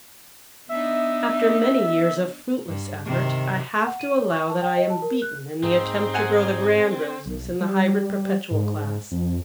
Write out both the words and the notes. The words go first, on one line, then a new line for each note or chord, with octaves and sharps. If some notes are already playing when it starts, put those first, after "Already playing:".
After many years of fruitless effort I have to allow that I am beaten in the attempt to grow the Grand Roses in the Hybrid Perpetual class.
B3 D4 D#4 E5
G2
C3 D#3
F#5
D#7
C#5
C#6
A5
G5
D#5
A5
A#4
F#6
G#2 C4 D#4 G#4
F#5 G#5
B1
G3
G#2
F2